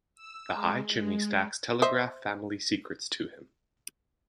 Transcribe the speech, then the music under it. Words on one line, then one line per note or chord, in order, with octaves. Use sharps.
The high chimney-stacks telegraph family secrets to him.
E6
G#3
G#3
C5 D#5 E5